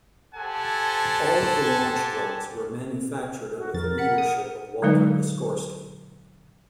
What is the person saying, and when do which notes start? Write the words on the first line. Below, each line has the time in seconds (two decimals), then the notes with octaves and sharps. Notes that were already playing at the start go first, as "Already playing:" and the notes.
All of the launch drugs were manufactured under the leadership of Walter Piskorski.
0.35 G4 A4 C5 F#5 G#5 A5
3.57 F#4
3.74 F2 A#4 A6
3.98 F#5 B5 C#7
4.18 D#6
4.82 D3 F#3 G#3 D#4 B4 D5